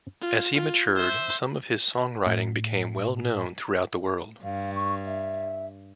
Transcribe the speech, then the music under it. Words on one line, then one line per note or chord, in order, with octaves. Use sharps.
As he matured, some of his songwriting became well known throughout the world.
F4
F4
C5 E5
A2
G2 F5
C#6
E5